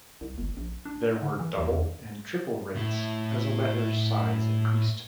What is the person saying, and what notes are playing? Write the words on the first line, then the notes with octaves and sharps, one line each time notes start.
There were "double" and "triple" rates as a letter's size increased.
C2
G1
A#1
D4
D3
E3
D#2
E2
A2 E4